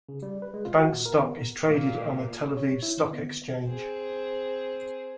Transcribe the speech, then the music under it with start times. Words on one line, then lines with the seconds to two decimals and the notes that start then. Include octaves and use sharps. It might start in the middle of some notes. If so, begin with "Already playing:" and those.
The bank's stock is traded on the Tel Aviv Stock Exchange.
0.09 C#3
0.22 G3
0.42 B4
0.54 G#3
0.65 F4
0.79 F#4
0.92 A#2
1.06 A#4
1.19 B3
1.69 A#2 A#3
2.57 C#5
2.83 E4
2.97 D3
3.13 B3
3.65 C4 G#4